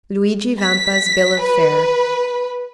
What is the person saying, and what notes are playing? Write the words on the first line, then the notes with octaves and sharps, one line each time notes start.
Luigi Vampa's Bill of Fare.
B6
B4